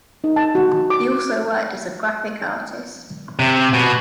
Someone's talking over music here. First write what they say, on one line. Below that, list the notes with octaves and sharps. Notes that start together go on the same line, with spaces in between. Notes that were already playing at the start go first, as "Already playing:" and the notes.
He also worked as a graphic artist.
D#4
A5
F#4
D6
C3
B2